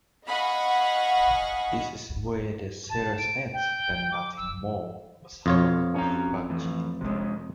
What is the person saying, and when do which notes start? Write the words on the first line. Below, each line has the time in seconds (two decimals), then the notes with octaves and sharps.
This is where the series ended and nothing more was heard of Budgie.
0.25 D#5 F5 F#5 G#5 B5 C#6
2.90 A5
3.18 D7
3.53 G5
4.11 D6
4.37 E6
5.46 F2 B2 F4 C#5
5.96 C#4 A#5
6.50 A2 E3
7.01 C3 G#3